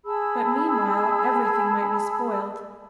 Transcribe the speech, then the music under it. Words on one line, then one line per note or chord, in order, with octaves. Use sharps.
But meanwhile everything might be spoiled.
G#4 A5 B5 E6